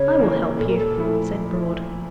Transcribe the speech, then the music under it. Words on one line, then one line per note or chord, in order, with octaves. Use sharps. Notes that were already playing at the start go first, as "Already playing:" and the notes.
I will help you,' said Broad.
Already playing: C#3 C#5
E3 A#3
A#2 A4
A#4
A4
F3 A3 E4